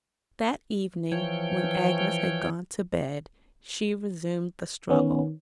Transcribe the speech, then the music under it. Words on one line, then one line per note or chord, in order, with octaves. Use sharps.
That evening, when Agnes had gone to bed, she resumed the struggle.
E3 F3 C#5 G5
D#3 B3 C#4